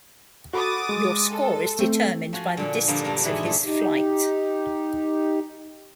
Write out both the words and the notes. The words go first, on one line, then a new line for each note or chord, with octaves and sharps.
Your score is determined by the distance of his flight.
F#4 A4 B5 D6 D#6 A6
G#3
A4
A3 C4
F3 F#4 G#5
A#2 D3
D3 F3 G3 A#3 C5 D#5
G2 A#3 D4 A#4
G#2 B2 E3 F#5
A#2 A3
D#4 G4